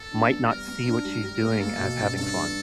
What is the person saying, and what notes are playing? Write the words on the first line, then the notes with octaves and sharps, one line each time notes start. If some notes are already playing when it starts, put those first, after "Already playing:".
might not see what she's doing as having fun.
Already playing: A4
D4
B3
G3 A#4
B3
D4
G3
G3
A#3
A#3 A4
B2
C#4
G2 A4
G2